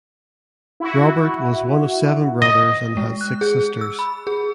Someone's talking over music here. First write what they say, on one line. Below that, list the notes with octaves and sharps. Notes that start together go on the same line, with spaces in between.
Robert was one of seven brothers and had six sisters.
E4 F#4
D#5
G#3
F#6
G#4
E6
B5
G#4